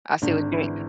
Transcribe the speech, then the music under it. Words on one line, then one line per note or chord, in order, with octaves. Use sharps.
I see what you mean
G#1 D3 D4
E3 E4